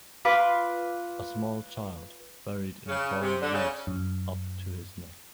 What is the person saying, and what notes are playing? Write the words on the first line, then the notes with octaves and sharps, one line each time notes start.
A small child buried in fallen leaves up to his neck.
F4 B4 D6
C#3
C3
D3
C#3
F#2